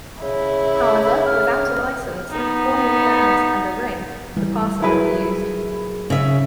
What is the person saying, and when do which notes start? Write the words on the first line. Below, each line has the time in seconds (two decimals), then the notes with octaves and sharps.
However, without a licence, calling of banns, and a ring, the parson refused.
0.22 C#3 E4
1.26 F6
2.30 B3 D#4
4.37 E3 G3
4.82 F#3 E4 G#4 A#4 B4
6.10 C#3 E5